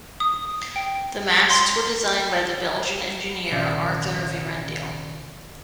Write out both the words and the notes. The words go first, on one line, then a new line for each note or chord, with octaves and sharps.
The masts were designed by the Belgian engineer Arthur Vierendeel.
D#6
G5
C6
A#1 C3 D#3 C#4 D5 E5